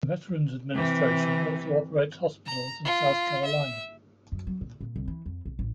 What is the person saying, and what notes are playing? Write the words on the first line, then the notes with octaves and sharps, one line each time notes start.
The Veterans Administration also operates hospitals in South Carolina.
C3 E3
A#5
F4
E5
F#2
F#3
A#2
A#2
C2
E3
F2
B1
A1